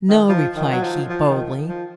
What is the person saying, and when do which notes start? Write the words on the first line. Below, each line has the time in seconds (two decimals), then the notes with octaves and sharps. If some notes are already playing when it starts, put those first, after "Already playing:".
'No,' replied he, boldly.
0.09 D#3
0.29 F3
0.56 D#3
0.72 F#3
0.82 F3
1.09 F3
1.29 D#3
1.69 F3